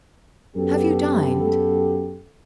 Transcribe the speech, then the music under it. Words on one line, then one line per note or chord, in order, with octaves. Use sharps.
'Have you dined?
F#2 B3 G4 A4